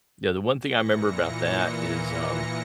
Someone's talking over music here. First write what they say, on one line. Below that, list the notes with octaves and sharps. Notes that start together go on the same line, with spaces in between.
yeah, the one thing I remember about that is, um,
A#2 E3 A#6 C#7